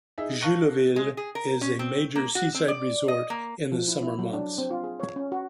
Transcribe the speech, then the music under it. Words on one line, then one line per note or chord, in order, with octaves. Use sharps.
Jullouville is a major seaside resort in the summer months.
D#4 G#4 E5
F5 A5 C#6 F#6 A#6 C#7
G#3
G#4
A#4
C#4
C4
A#3
F#4
C4
D5
D#5
A#3
F3
E4
E4
F#3
D4
C4
F4
G#4
C#5
C#4
F#4